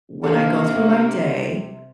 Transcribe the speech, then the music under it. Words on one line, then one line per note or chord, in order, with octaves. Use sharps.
when I go through my day,
C3 A#3 C4 D4 G4 A4